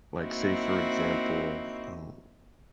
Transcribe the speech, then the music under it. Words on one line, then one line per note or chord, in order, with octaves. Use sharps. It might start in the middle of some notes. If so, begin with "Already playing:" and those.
like, say, for example, um
A#3 C4 D#4 E4 F#4